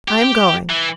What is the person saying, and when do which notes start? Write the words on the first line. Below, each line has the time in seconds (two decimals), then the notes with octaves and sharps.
I am going.
0.08 G4
0.70 E3